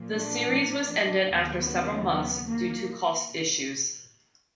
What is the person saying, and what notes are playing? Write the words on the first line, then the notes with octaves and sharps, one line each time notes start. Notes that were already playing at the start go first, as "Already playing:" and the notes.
The series was ended after several months due to cost issues.
Already playing: A#2 F3
D4
D#2 C#3 F#3 B3
B3
A#3